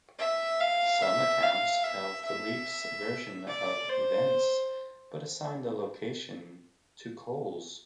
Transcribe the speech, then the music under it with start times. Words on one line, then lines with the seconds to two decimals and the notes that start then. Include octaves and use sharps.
Some accounts tell Philippe's version of events, but assign the location to Cole's.
0.19 E5
0.60 F5
1.02 E5
1.42 F5
1.83 E5
2.25 E5
3.48 D5
3.89 C5